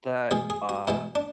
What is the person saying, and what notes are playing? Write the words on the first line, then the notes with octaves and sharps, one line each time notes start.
that, uh,
E2 B2 G#3 G#4
G#4
F#4
E2 B2 G#3 E4
D4